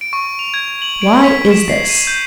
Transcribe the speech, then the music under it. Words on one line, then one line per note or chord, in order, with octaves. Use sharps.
"Why is this?"
D7
C#6
F7
G#6
F#7
D7
B6
E7
C7
D#7
G6